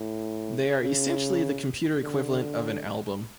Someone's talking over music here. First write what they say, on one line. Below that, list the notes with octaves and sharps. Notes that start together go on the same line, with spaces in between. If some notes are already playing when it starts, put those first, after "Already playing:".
They are essentially the computer equivalent of an album.
Already playing: A2
C#3
D3